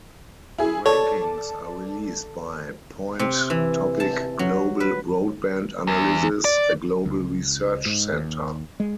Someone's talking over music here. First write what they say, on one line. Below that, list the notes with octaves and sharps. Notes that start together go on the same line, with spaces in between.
The rankings are released by Point Topic Global broadband analysis, a global research centre.
E4 G#4
A4 C#5 D5 A5
C3
E3
A5
F#3
B4
E2
D5
C#2
G#2
D#2
G#3